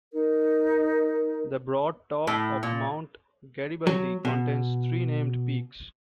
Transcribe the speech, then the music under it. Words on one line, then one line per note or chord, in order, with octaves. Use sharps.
The broad top of Mount Garibaldi contains three named peaks.
D#4 A#4
A2
A#2
F#3
B2